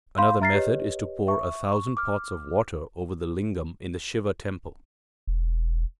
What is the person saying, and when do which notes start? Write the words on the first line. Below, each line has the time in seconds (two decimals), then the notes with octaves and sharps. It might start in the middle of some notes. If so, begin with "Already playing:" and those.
Another method is to pour a thousand pots of water over the lingam in the Siva temple.
0.18 F5 B5 C6 G6
0.41 E5 A#5 F6 A6 A#6 C7
0.53 G4 B4 C#5 D#5
1.27 E5 C#6
1.73 C#6
1.97 D6 F6
5.27 E1